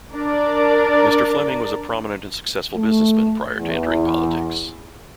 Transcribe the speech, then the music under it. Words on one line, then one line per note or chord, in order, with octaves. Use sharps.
Mr. Fleming was a prominent and successful businessman prior to entering politics.
D4 A#4 D5
A3
E2